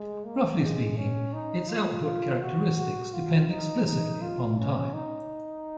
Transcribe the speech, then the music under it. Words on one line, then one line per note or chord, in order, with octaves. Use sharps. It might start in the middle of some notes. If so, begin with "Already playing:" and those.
Roughly speaking, its output characteristics depend explicitly upon time.
Already playing: G#3
A#3
G#3
C#4
D#4
F4
F4
F#4
F#4
F4
D#4
D#4
F4
C#4
D#4